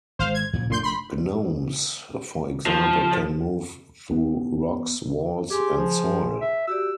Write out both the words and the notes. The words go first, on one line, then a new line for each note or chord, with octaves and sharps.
Gnomes, for example, can move through rocks, walls, and soil.
G#1 G#3 C5 F5
G#6
F2 A#2 C#3
F1 A#2 A3 D4 C6 G6
B5 C6
F3
B3
G4 G#4 G#5 C6
F3
E5
F#4 G4 D5 E6